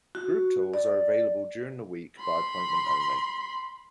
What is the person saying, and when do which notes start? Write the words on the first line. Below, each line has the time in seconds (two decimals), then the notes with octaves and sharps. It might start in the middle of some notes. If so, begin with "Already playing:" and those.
Group tours are available during the week by appointment only.
0.15 F#4
0.74 D5
2.19 B5 C6